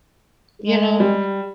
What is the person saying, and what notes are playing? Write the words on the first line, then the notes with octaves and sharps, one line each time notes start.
you know?
G#3
G3